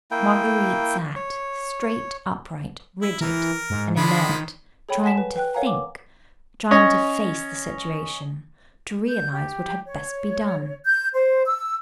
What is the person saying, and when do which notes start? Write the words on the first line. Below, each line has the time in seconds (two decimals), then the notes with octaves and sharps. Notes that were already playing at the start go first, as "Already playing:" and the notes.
Marguerite sat, straight upright, rigid and inert, trying to think, trying to face the situation, to realise what had best be done.
0.11 A#3 E4 G5
1.16 C#5
3.02 E4
3.21 E3 A#4
3.70 G#2
3.97 D3 F3 G#3 B5
4.29 D#3
4.89 G#4 A4 C#5 G5 B5
5.03 F#5 G#5 A5 B6 E7
5.18 B4
5.36 B4 G5 F#6
5.54 A#4 C#5 F5 F#5 G#5 A#5
5.67 D6
6.71 C#4 C#5 D#5
9.09 G6
9.33 G4
9.86 C#5
10.85 G6
11.14 C5
11.46 E6